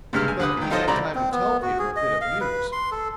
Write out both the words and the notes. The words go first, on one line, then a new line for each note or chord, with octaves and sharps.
But he had time to tell Peter a bit of news.
G2 C3 G#3 F6
G#5
D3 B4 D#6
A#2 D#3
D#4 F4 A4 C5 D#5
C2 C5 D5 A#5 B5
C4
B3
F#4
G#4
D#5
F5
B4
C6
A4